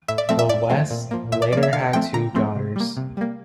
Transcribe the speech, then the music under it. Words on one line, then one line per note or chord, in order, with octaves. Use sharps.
The Wests later had two daughters.
A2 E5
D5
F3 A3 C4 E5
E5
A2 D5
F3 A3 C4
A#2
F3 A#3
A#2 E5
D5
F3 A#3 D5
E5
D3 F5
F3 A3 C4 G5
D3 A#5
F3 A3 C4
C3
G3 A#3
C3
G3 A#3